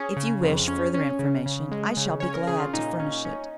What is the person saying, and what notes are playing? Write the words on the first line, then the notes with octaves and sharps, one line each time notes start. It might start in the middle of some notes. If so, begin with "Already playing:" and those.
If you wish further information, I shall be glad to furnish it.
Already playing: C#4 G#4
C#3
F2
C#4
C#4
C#3
C#3
G#3
C#3
C#4 C#5
A#4
C#3 G#4
F4
A#2 D#4
C#4
C#4